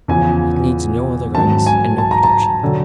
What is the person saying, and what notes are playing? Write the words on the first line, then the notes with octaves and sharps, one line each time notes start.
It needs no other guidance, and no protection.
E2 C#3 F3 G#5
G#2 D#3 F#3 A5
G#5
A5
A#5
A5
D3 F#3